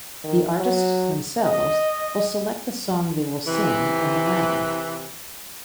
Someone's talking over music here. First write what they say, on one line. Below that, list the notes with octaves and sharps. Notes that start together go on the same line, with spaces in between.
The artists themselves will select the song they will sing in the round.
D#3
F#3
D#5
C3 E3